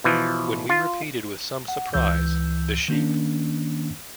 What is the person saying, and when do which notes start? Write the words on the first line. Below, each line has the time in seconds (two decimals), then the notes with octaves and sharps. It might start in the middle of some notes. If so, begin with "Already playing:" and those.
When we repeated, with some surprise, "The sheep?"
0.04 B2 E3 F3
0.69 F4
1.68 F#5
1.94 C#2 E3 E6 G6
2.88 D#3 A#3 C#4 D4